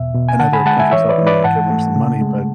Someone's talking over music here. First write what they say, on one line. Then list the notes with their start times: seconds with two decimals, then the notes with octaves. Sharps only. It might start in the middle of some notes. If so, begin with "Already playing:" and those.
and other countries helping 'em give 'em some money, but
Already playing: E2 B2 E5
0.14 B2
0.29 G#5
0.40 D3 F#5 A5
0.53 G#5 B5
0.66 G#3 F#5 A5
0.79 E5 G#5
0.91 E3 C#5 E5
1.09 B4 D5
1.18 E3
1.27 B4 D5
1.44 G#2 F#5 A5
1.70 A3
1.96 C#3
2.22 G#3